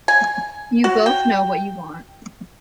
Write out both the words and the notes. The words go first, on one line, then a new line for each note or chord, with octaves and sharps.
You both know what you want.
G#5
F#4
G5